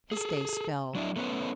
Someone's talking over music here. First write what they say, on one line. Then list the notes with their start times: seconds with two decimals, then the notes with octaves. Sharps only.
His face fell.
0.12 G#4 A4
0.95 F#3 D4 E4
1.16 A3 B3 C#4 D4 B4